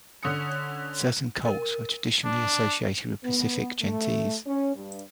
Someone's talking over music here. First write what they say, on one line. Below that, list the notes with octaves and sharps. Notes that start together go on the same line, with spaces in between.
Certain cults were traditionally associated with specific gentes.
D3 C#4 D#6 C#7
A#4
D4
B3
A3
C#4
G2